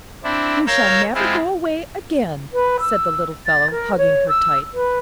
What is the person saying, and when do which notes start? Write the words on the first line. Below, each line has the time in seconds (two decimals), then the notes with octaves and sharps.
"You shall never go away again," said the little fellow, hugging her tight.
0.24 C4 D4 E4
0.67 A#4 C#5 F5 A#5 E6 G6
1.15 G#3 C4 E4 F4
2.53 B4
2.80 E6
3.46 A6
3.70 A#4
3.97 C#5
4.28 E6
4.73 B4